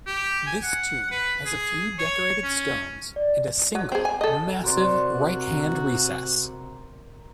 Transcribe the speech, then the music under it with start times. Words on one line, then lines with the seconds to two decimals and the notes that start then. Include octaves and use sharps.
This tomb has a few decorated stones, and a single, massive right-hand recess.
0.07 G4
0.47 G#5
0.64 F#5
1.11 B4
1.46 G#4
1.99 C#5
2.44 C#4
3.16 D5
3.75 F#3
3.92 C4 G#4
4.05 G#5
4.21 A4 D#5
4.63 C3 F#4 A#4 C5 D5